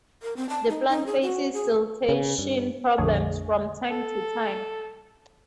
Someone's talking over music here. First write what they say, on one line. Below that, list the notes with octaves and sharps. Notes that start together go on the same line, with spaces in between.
The plant faces siltation problems from time to time.
A#4
C4
A5
D#4
D#4
G#4
F#4
G#4
C#3
G2
A#1 F2 D3 A3 G#4 C#5
A4